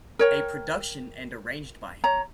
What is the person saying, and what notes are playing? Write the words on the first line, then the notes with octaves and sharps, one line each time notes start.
A production and arranged by him.
A#4 C#5 G5
C#5 A#5